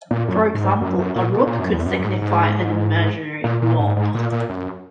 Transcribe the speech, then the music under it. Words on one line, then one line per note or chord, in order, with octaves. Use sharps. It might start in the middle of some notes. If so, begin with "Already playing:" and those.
For example, a rope could signify an imaginary wall.
A#2
F#2
G#2
F#2
F#2
A#2
B2
A#2
F#2
E2
F#2
F#2
G#2
G#2
A#2
A#2
G#2
G#2
A#2
A#2
F#2